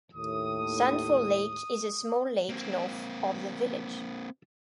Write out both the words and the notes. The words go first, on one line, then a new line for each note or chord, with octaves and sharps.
Sanford Lake is a small lake north of the village.
D#2 A2 D#6
A#3 C4